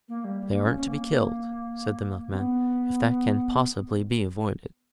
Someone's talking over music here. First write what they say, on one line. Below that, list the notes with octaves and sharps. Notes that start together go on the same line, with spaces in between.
"They aren't to be killed," said the milkman, "if that can possibly be avoided."
A#3
G3
G3
A#3
C#4
C#4
A#3
C#4
B3